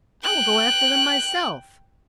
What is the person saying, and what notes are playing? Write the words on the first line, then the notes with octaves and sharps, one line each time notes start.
'I will go after them myself.
G5 F#6